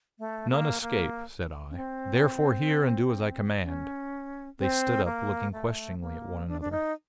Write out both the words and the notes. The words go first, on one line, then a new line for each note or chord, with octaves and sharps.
"None escape," said I. "Therefore hear and do as I command." They stood up, looking questioningly at one another.
A3
A#3
A#3
C#4
C4
C#4
C4
A#3
A3
A#3
D4
D4
D#4